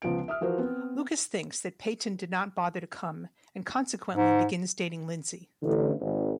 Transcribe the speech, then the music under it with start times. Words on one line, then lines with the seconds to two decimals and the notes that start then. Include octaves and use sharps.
Lucas thinks that Peyton did not bother to come, and consequently begins dating Lindsey.
0.02 C#2 F3 B3 D7
0.28 E5 D#6 F6
0.41 E3 F3 F#4 A#4 C5
0.58 B3 C4
4.14 G#2
5.62 A1 D3
6.00 G#1